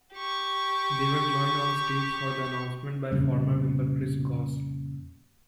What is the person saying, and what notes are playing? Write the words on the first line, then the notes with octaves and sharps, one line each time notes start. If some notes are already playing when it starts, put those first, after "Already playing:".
They were joined on stage for the announcement by former member Chris Goss.
G4 C#6
F2 A#2 C#3 G3